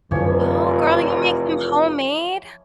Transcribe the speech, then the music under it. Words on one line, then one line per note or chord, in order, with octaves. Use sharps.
Oh, girl, you make them homemade?
F1 F#2 D3 E3 F3 C#5